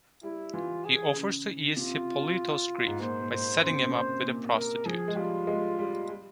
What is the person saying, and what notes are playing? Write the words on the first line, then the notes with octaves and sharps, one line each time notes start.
He offers to ease Hippolito's grief by setting him up with a prostitute.
G3 E4
E3 F4
G#4
C#3
C3 F4
G#2
A#2 C5
A#2
G#2 C5
C#3 C5
C3
A#2
C3 C5
A#2
A#4
F3 G#4
G#3
G3 F4
G#3
G3
G3